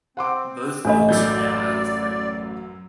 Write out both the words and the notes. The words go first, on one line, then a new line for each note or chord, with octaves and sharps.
Both books are now out of print.
C4 F#5 C6 D6
A1 A3 D4 A4 D#5 B5
F#2 F#3 D5 G6